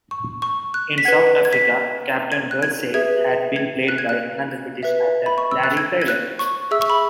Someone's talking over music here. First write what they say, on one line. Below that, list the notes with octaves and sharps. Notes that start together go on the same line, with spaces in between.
In South Africa, Captain Birdseye had been played by another British actor, Larry Taylor.
C#6
C#6
F#6
B6
B4 F#5 G#6
G#6
B6
G#6
F#6
G#6
G#4 B4 E5 G#6
G#6
F#6
G#6
F#6
B4 E5
B5
C#6
E6
F#6
G#6
G#6
F#6
C#6
G#4 E5 E6
C#6
B5